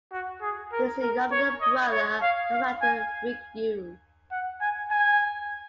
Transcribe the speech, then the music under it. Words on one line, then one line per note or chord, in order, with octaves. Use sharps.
He is the younger brother of actor Rick Yune.
F#4
G#4
A#4
A#4
C#5
D#5
C#5
F5
F5
G#5
F#5
G#5
G#5